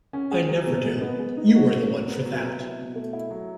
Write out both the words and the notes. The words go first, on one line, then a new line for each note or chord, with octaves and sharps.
I never do; you are the one for that.
C#4
G#4
F#3
B2
G#3
B3
G#3
D#4
F#4
C#3
F#3
B3
F#3
B3
E4
B2
A3
E4
F#3